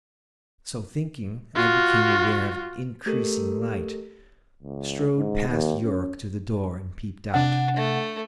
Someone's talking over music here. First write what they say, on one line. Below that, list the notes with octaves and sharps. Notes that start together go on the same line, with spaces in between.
So thinking I became aware of increasing light; strode past Yuruk to the door and peeped out.
F4 F#4
A3 G4 A4 A#4
C#2
G#2
D#2
C#4
C3 D4 F#5
A3